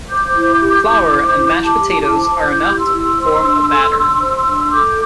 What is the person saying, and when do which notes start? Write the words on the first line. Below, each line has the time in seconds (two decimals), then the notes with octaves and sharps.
Flour and mashed potatoes are enough to form a batter.
0.09 C5 D6 G6
0.35 E4
0.60 G4
0.86 E4
1.12 C5
1.37 E4
1.63 G4 A5 D6
1.89 E4
2.02 A5 D6
2.14 C5
2.40 E4 D6 G6
2.67 G4
2.78 C6 E6
2.92 E4
3.18 C5
3.43 D4
3.68 A4
3.94 D4
4.20 C5
4.45 D4
4.71 A4 D6 G6